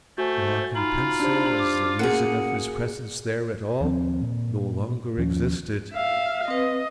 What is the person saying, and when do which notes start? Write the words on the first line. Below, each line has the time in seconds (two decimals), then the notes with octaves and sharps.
Block and pencil, as the reason of his presence there at all, no longer existed....
0.18 A3 F#4 C5 G#5
0.75 D#4 F4 B5
1.20 D4 G4 C5
1.58 D6
1.99 A#3 C#4 E4 F#4 G#4 F#5 F#6
3.81 D#2 F3 F#3 C4
4.22 A#2
5.17 D#2 F3 C#4
5.94 E5 F5
6.48 C4 B4 D#5